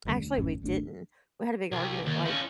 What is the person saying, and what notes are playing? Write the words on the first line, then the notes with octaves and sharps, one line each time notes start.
Actually, we didn't. We had a big argument, like,
F1 D2 C#3 G3
D2
G#1 F2 A2 C#4
D1 G#1 A3 D4
C2
D#2
F3 C#4